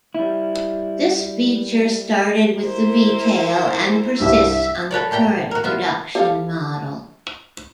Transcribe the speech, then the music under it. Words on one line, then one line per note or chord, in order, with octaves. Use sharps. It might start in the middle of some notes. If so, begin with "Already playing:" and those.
This feature started with the V-tail and persists on the current production model.
G3 E4
E4 A#4 C5
C2 G2 E5
A4 B4 C#5 D5
A#2 A3 G4 G5 A#5
F#4 A#4
B3 F4 E5
G4 A4 F5